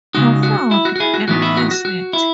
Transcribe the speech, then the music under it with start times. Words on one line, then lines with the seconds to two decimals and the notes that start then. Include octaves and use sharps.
Confound and curse it!
0.15 C#3 G#3 D#4 F#4
0.43 F#4
0.71 E4
0.85 F#4
0.96 F#4
1.00 E4 G#4
1.14 F#4
1.28 A2 E3 B3 D#4 F#4
1.42 E4
1.57 F#4
1.71 F#4
1.85 F#4
2.13 E4